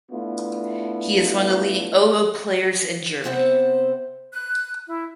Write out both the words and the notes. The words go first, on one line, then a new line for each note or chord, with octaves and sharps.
He is one of the leading oboe players in Germany.
A3 B3 D4 E4 F4
C3 B3 C4 C5 E5 F#5
F#6
E4